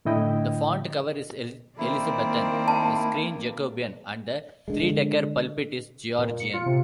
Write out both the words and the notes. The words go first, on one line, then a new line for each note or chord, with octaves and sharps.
The font-cover is Elizabethan, the screen Jacobean and the three-decker pulpit is Georgian.
A2 D3 E4 D#5 G5
D#3 A#3 C4 E4 D5
A5
D3 G#3
A#2
C#7
F4
C3